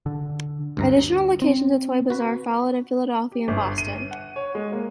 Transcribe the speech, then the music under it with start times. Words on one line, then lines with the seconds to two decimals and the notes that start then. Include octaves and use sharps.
Additional locations of "Toy Bazaar" followed in Philadelphia and Boston.
0.06 D3
0.77 D2 G2 A#5
1.42 C4
2.10 F#4 B4
3.32 G4
3.48 G1
3.78 D#7
4.11 F#5
4.36 C#5
4.55 G#3
4.72 A#3